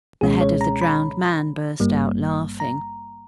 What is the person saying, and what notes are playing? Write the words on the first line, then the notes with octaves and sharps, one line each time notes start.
The head of the drowned man burst out laughing.
C#2 B2 G#3 C#4 G#4
C#5
A#5
B5
G#1 G2 G3 A#3
A#5